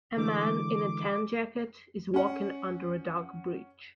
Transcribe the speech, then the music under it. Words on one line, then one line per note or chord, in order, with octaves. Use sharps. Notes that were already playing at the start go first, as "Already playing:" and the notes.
A man in a tan jacket is walking under a dark bridge.
D3 E3 G#3 D6
C#4 F#5